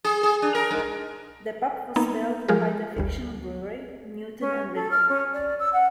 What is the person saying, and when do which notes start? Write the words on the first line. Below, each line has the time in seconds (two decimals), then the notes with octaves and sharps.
The pub was built by the fictional brewery Newton and Ridley.
0.04 G#4
0.23 G#4
0.42 D4
0.55 A#4
0.71 G#2
1.96 A#3 B3 D#4
2.48 F3 G#3 F4 G4 G#4 A#4
2.97 G1 D2 G3
4.40 C#4
4.75 A4
4.91 F6
5.09 C#4
5.33 D5
5.59 E6
5.73 F#5